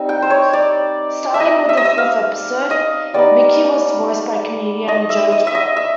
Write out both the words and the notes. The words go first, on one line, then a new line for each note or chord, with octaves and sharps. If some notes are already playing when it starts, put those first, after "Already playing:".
Starting with the fourth episode, Mickey was voiced by comedian Joe Twerp.
Already playing: G3 C4 D#4
G5
C5
C#5
D5
E5
D#5
E5
D#5
E5
F5
D#5
G3 B3 D#4 D5
D#5
E5
D#5
E5
D#5
E5